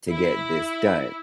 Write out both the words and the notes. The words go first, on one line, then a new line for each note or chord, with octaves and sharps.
to get this done,
E4